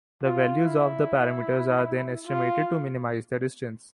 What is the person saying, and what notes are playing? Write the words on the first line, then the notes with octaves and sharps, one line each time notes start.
The values of the parameters are then estimated to minimize this distance.
F4
E4
F4